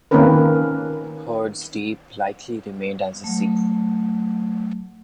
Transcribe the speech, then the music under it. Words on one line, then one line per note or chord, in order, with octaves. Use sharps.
Hurd's Deep likely remained as a sea.
D#3 A#3 C4 C#4 A#4 B4
F#3 A3